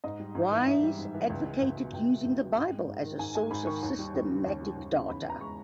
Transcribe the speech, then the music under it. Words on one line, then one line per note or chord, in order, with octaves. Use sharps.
Wise advocated using the Bible as a source of systematic data.
G#2 D#5
G3
G#2
E3
G#2 E5
G3
G#2
E3
C#2
G#3
C#2
B2
C#2 G5
G#3
C#2
B2
G#2
G#3
G#2
D#3
G#2 G#5
G#3 G#5
G#2 B5
D#3 C#6
D#2
G3
D#2
C#3
D#2
G3
D#2
C#3
E2 B5
E3
A#5
G#3 C#6